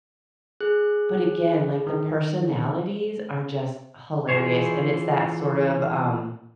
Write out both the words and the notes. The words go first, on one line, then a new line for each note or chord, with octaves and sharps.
but again, like, the personalities are just hilarious, and it's that, sort of, um
G#4 F#6
D#3
E3 F4 G#4 C5 C#5